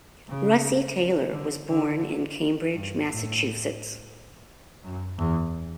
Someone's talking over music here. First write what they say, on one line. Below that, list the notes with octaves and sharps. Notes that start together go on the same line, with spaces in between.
Russi Taylor was born in Cambridge, Massachusetts.
C#3
D3
D3
G2
A2
F#2
E2